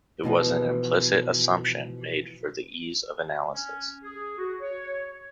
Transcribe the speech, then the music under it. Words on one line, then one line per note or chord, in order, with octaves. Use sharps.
It was an implicit assumption made for the ease of analysis.
B2 D3 E3 F3
C#4
G#4
F#4
C#5